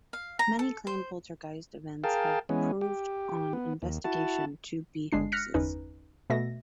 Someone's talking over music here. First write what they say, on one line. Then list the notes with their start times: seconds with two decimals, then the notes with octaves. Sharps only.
Many claimed poltergeist events have proved on investigation to be hoaxes.
0.13 F5
0.39 A#5
0.59 A4
0.87 C5
2.04 G#4 A#4 F5 G5 A5
2.49 E3 G#3 B3 C#4
2.81 G4
3.53 B3
3.82 D#2
4.04 E4 F#4 A5
5.12 G1 G#3 D4 C7
5.32 F6 F#6 A#6 B6 C#7
5.54 G1 E2 C#4 D#4 B4
6.30 B2 A3 E5 A#6